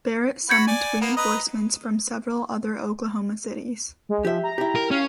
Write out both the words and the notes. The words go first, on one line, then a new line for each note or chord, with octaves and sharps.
Barrett summoned reinforcements from several other Oklahoma cities.
F#4 B5 G6 G#6 C#7
D5 G#5
A#3 B3 A#4
B4 D#5 A#5
G#3
F3 G4 E5
A#5
E4 G4
A#4
C#4 F5